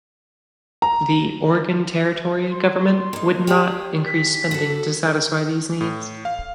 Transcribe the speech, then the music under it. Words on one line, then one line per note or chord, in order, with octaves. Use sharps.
The Oregon Territory government would not increase spending to satisfy these needs.
A#5
C6
A#3 D#4
G4 G#4 D5
B6
F#4 A4
A2
F5